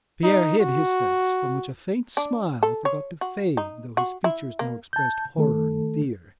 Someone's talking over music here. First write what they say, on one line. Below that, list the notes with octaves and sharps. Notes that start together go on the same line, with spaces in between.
Pierre hid his face, from which a faint smile forgot to fade though his features now expressed horror and fear.
D#4
F#4
D4
A4
C#5
F#4
D#4
F#4
E4
A#3
A5 G6
D#3 A3 A4